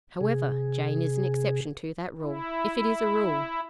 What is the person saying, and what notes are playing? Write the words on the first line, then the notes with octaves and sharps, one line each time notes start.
However, Jane is an exception to that rule--if it is a rule.
C3 G#4
E4